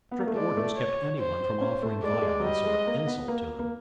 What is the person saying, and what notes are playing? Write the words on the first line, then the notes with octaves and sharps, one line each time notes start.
Strict orders kept anyone from offering violence or insult to them.
B3
A#3
A3
G#3 D5
A3
C#5
C5
C#4 C5
A3
G#3 D5
A3
G#3
F#3
G3 D#5
G#3
A#3
B3
A#3
A#3